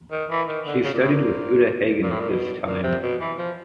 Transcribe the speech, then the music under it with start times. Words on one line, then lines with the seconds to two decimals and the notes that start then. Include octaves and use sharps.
She studied with Uta Hagen at this time.
0.12 D#3
0.30 E3
0.48 D#3
0.66 D3
0.84 C#3
0.94 A#2
1.02 A2
1.11 A#2
2.03 A#2
2.11 A2
2.20 A#2
2.29 B2
2.66 A#2
2.83 C3
3.02 B2
3.20 E3
3.38 F3